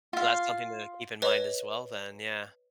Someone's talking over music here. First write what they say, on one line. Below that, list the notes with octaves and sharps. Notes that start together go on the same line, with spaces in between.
So that's something to keep in mind as well then, yeah.
F4 F5
B4 C#5 D#5